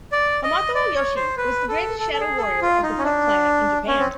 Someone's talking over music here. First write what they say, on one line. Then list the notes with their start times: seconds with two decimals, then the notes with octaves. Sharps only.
Hamato Yoshi was the greatest shadow warrior of the Foot Clan in Japan.
0.12 D5
0.44 D#5
0.75 D5
0.95 C#5
1.16 C5
1.37 B4
1.68 A4
2.00 A4
2.13 A4
2.20 G#4
2.37 A4
2.41 G#4
2.62 F4
2.83 D#4
2.98 C#4
3.04 D4
3.87 C#4
3.99 C4